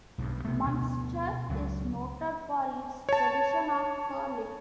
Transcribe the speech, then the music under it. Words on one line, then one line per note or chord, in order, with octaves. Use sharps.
Munster is noted for its tradition of hurling.
B1 G2
C3 A3
D2 B2
C#2 F#3
C#5 A5